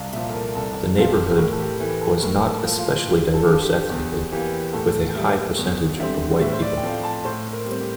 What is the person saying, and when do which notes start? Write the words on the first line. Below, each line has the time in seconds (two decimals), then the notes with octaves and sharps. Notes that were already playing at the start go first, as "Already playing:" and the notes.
The neighborhood was "not especially diverse" ethnically, with a high percentage of white people.
Already playing: C2 F5 A5
0.13 A#2 F3 E5
0.29 A4
0.34 A#4
0.55 C2 A4
0.96 C3 F3 F4
1.10 G4
1.38 A2 A#4
1.51 A4
1.60 G4
1.80 E3 A3
2.01 A4
2.22 A2 A#4
2.50 A4
2.64 F3 A#3
2.78 F4
3.06 G2 G4
3.34 A4
3.48 D3 F3
3.62 G4
3.90 E2 G4
4.32 E3 A#3 G4
4.73 A2 A4
5.15 G3 A#3 E5
5.58 E2
5.99 D3 G3 C4 E5
6.41 A2 E5
6.52 C5
6.62 D5
6.77 G5
6.83 F3 A3 C4 F5
7.03 A5
7.24 A2 C5
7.53 A#4
7.66 G3
7.71 C4
7.81 G4